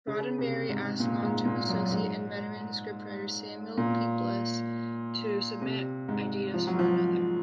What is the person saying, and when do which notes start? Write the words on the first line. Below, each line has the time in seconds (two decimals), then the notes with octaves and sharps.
Roddenberry asked long-time associate and veteran scriptwriter Samuel Peeples to submit ideas for another.
0.07 C#3
0.38 C3
0.69 G#2
1.00 A#2
1.22 G#2
1.45 A#2
1.69 F#2
1.92 G#2
3.78 A#2
5.61 C3
6.09 G#2
6.54 F3
6.67 F#3
6.79 F3